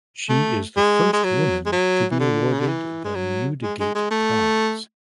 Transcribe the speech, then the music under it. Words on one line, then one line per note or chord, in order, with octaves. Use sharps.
She is the first woman to be awarded the Newdigate prize.
A3
G#3
G#3
F#3
G#3
F#3
E3
D3
C#3
D3
E3
G#3
F#3
G#3
G#3
G#3
A3